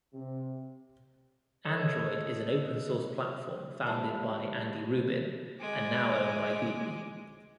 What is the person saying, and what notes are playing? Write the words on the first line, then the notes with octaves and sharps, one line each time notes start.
Android is an open-source platform founded by Andy Rubin and now owned by Google.
C3
A4 C#5 D#5
G#2 G3 E4 F5 A5
G#3 D6